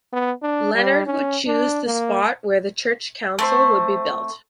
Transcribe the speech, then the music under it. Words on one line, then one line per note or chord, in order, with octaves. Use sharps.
Leonard would choose the spot where the church council would be built.
B3
D4
G3
C#4
D4
A#3
A3 C4 C5